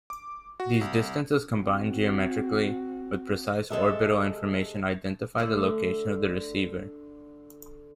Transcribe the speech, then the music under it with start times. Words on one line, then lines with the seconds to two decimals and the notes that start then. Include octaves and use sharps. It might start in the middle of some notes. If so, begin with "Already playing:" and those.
These distances combined geometrically with precise orbital information identify the location of the receiver.
0.10 D6
0.60 F#4
0.81 C2
1.56 C4 F#4
3.70 C3 G#3 A4 E5
5.38 D3 A3